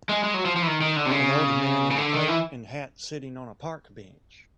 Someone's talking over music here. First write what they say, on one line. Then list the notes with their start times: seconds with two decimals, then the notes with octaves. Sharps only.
An old man in a coat and hat sitting on a park bench.
0.09 G#3
0.24 G#3
0.34 F#3
0.45 F3
0.56 F3
0.62 E3
0.67 D#3
0.81 D#3
0.96 D3
1.06 C3
1.11 C#3
1.91 C#3
1.98 D3
2.13 D#3
2.28 E3